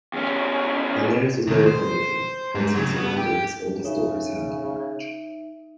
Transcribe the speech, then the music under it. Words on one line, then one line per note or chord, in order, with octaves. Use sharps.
Linnaeus was very fond of him, promising Solander his oldest daughter's hand in marriage.
E2 C#4
C3 D#3
C5
G#2
C#3 F#3
B3
G4
C#3 D#4 E5